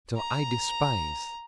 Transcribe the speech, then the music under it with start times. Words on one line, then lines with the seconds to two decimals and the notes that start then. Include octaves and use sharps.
So I despise.
0.17 A#5